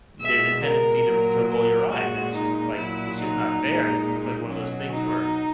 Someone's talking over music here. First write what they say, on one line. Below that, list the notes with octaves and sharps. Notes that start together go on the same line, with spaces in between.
there's a tendency to to roll your eyes, and it's just, like it's just not fair. It is just like one of those things where
B2 G#3 E5
A#4
A#2 F#3
A#4
A#2 G#3 F#4
D#4
A#2 F#3 E4
D#4
A#2 G#3
B2 F#3 C#4
D#4